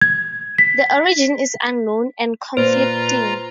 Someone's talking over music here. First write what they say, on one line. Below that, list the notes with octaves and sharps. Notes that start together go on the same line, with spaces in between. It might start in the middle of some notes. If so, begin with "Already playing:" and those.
The origin is unknown and conflicting.
G#6
B6
A#2 F4 B4 C5 A#5